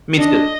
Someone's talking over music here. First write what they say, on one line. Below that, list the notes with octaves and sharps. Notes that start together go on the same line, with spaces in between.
Me too.
D4 D#5